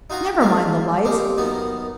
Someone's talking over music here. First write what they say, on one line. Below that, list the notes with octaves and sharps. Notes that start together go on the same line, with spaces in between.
Never mind the lights.
D#4 F4 F#4 A#5 D#6
F#3 G#3 A#3 F4 A4
A#3 C4 D#4 G4
F#2 D#3 B3 D#4